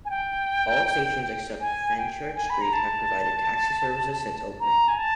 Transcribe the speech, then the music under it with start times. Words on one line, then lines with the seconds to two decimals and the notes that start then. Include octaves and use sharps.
All stations except Fenchurch Street have provided taxi services since opening.
0.05 G#5
0.10 G5
1.60 G#5
1.98 G5
2.36 G#5
2.50 B5
2.61 A#5
2.73 A5
4.60 A#5
4.88 G#5
4.98 A5